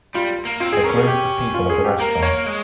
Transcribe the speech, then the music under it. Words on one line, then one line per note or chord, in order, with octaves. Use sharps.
A group of people at a restaurant.
G3 F4
A#3
C4 F4
G#4
C#4 A#4
G#4
G4
F4
G#4
G4
A#3 A#4
A#3 C#5
G#3